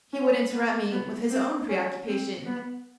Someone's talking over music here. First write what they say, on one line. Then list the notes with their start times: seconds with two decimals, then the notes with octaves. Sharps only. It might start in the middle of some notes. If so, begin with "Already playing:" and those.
He would interrupt me with his own preoccupation.
0.13 C#4
0.52 B3
0.91 B3
1.30 C4
1.69 C#4
2.07 C4
2.46 B3